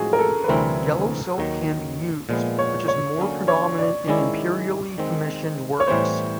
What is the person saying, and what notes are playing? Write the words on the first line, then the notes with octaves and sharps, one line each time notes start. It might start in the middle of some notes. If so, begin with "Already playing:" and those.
Yellow silk can be used, which is more predominant in imperially commissioned works.
Already playing: A2 F3 G#3 C4 F4 F#4 G#4
A#4
A4
B4
D2 C3 E3 G3 C4 A#4
D#2 D#3 F#3
A#2 F3 G#3 B3
C#5
C#5
D3 F#3 A#3 C#4
C#5
D5
D#3 G#3 C#4 E4 D5
D#3 G#3 C4
C#5
A2 E3 G3 B3 C5